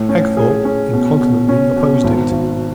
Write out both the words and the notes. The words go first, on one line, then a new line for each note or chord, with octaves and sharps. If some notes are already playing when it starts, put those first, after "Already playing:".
Hagthorpe incontinently opposed it.
Already playing: A2
C#4
G#4
C#4
B2
B2
C#4
B2
G#1
G#1